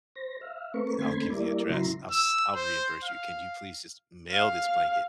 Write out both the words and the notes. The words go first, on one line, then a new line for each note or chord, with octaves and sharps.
I'll give you the address. I'll s I'll reimburse you. Can you please just mail this blanket
C5 A#6
E5 F5
A3 C4 A#4 B4 C#6
D3 A3 C4 B5 C6 G#6
G3 A#3 E4 A#4 D5
C#3 F#3 E4 A#5 C6
E6
C5
F5
F5